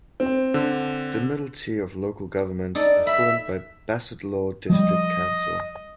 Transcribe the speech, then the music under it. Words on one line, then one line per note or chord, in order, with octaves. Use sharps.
The middle tier of local government is performed by Bassetlaw District Council.
C4
D3
D#4 A4 D5
E5 B5
F3 G3 D#5